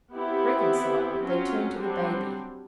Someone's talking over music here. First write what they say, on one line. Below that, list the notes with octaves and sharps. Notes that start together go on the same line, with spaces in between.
Reconciled, they turned to the baby.
B3 C4 E4 G4
F#3 C4 C#4 F4
F#3 G3 C4 D4